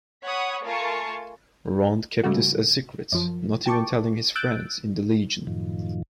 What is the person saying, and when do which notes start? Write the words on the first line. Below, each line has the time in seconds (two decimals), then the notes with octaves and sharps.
Rond kept this a secret, not even telling his friends in the Legion.
0.24 C#5 F#5 B5 C#6 D#6
0.64 A3 F4 A#4 G#5 A5 C#6
2.23 G#2 C#3 G3 A3 F#4
3.12 F#2 F3
3.66 G5 A5 C#6 D6
4.35 E6 F#6 G6 A6 D7
5.47 F#2 A2 D#3 F3